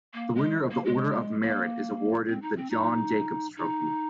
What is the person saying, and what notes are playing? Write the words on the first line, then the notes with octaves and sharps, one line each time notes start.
The winner of the Order of Merit is awarded the John Jacobs Trophy.
A#3
G#3
A#3
G#3
A#3
C4
D#4
C4
D#4
D#4